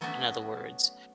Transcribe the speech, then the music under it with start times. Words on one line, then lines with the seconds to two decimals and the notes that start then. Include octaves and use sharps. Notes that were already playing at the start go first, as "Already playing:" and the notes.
in other words.
0.01 F#3 A3 B3 C#4 D4 F#4